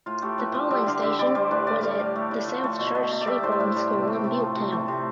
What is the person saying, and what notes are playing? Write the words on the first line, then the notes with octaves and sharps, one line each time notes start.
The polling station was at the South Church Street Boards School in Butetown.
A2 F4
A3 G4
A2 B4
F3
G3 E5
D3 F5
D3 E5
G3 D5
G3 C5
A2 B4
A2 D5
G3 F5
A2
A3
A2
F3
A3
B2
B2
A3
D5
G3 E5
A2 C5
D5
A2 E5
G3
C3
A3
G5
C3
A5
F3
C3
A3
C3